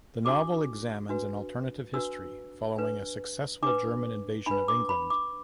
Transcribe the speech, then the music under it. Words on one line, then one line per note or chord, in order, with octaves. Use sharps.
The novel examines an alternate history following a successful German invasion of England.
D4 F#4 A4 D6
D4 F#4 B4
D4 F#4 B4 E6
D4 B4
D4 B4 D6
D4 B4 B5
D6
B5
D6